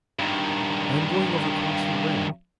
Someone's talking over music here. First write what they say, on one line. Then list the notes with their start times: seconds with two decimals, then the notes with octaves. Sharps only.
"I am going over Croxley way."
0.19 G2 D#3